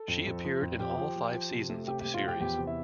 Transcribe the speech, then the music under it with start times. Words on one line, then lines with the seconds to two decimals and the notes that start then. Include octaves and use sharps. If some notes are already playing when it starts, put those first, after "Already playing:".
She appeared in all five seasons of the series.
Already playing: A4
0.08 F2
0.27 F2
0.45 F3
0.62 F2
0.79 F2 G4 G5
0.98 F3
1.16 F3
1.33 F3
1.51 C3
1.70 A3
1.87 C3 G4 G5
2.00 G4 G5
2.05 A3
2.14 F4 F5
2.23 F3 G4 G5
2.41 E2 G4 G5
2.59 C3
2.67 E4 E5